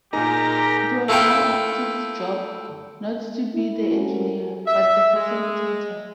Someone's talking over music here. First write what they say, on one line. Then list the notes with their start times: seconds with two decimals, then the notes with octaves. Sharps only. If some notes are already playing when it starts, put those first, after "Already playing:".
It was now Cox's job not to be the engineer, but the facilitator.
0.13 A#2 A#3 D#4 G4 G#4 A#4 A#5
1.08 A3 E4 F4 A4 A#4 G5
3.55 E4
3.89 C4 C#4 F#4 G4 A4 A#4
4.66 E5
5.14 G#3